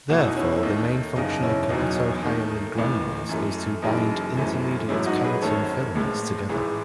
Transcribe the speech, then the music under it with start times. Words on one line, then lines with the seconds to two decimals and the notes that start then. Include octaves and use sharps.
Therefore, the main function of keratohyalin granules is to bind intermediate keratin filaments together.
0.09 E2 B2 A3 F#4
0.18 E4
0.28 D#4
0.37 C#4 E4
0.55 E4
0.63 D#2 D#3 A3 D#4
1.16 F#1 E2 C#3 D#4
1.43 C#4 E4
1.69 E1 E2 B2 F#3 D#4
2.22 D#2 D#3 A3
2.75 A1 A2 E3
3.29 F#2 E3 A3
3.82 F#1 F#2 E3 G#3 D#4
4.36 G#1 F#2 E3 A3
4.88 A1 G#2 F#3 A3 C#4 E4
5.06 D#4 F#4
5.24 G#4 B4
5.42 G#1 F#2 D#3 A3 A4 C#5
5.95 A1 A2 G#3
6.49 A1 G#2 E3 G#3